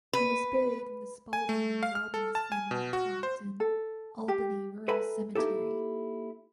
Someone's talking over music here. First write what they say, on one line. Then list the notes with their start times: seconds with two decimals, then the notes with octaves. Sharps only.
He was buried in the Spalding and Robbins family plot in Albany Rural Cemetery.
0.13 B4
1.33 G#5
1.49 A3
1.83 F5
1.95 F6
2.14 A4
2.35 A5
2.52 G#5
2.71 B2
2.93 F#4
3.23 C5
3.60 A4
4.28 G4
4.88 A4 B4 E5 G#5 A#5 B5
5.35 A#3 D#4 E4 G4 A4